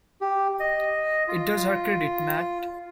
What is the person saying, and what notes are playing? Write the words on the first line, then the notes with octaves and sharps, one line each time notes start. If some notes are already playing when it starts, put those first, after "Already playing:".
It does her credit, Mat!
G4
D#5
F4